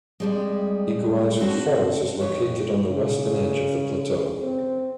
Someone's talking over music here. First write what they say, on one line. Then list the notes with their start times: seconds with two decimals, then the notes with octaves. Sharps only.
Iguazu Falls is located on the western edge of the plateau.
0.20 F2 G3 G#3
1.40 C4 F#4 A4
2.20 F2 C#5
2.89 C#3
4.41 C4